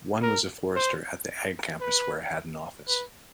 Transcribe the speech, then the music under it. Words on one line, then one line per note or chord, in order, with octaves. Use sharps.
One was a forester at the Ag campus where I had an office.
A#4
C5
B4
B4